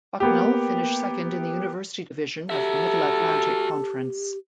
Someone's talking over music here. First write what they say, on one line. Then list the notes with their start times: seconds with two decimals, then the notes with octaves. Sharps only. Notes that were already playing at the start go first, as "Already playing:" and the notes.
Bucknell finished second in the University Division of the Middle Atlantic Conference.
0.20 A#3 B3 G4
2.50 F#4 G4 A4 E5